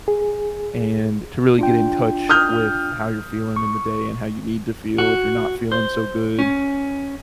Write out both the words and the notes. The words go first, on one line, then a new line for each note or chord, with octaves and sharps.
and to really get in touch with how you're feeling in the day and how you need to feel if you're not feeling so good,
G#4
D4 F4 G5
D#6 F6 G6
C#6
F#4
C5
C#4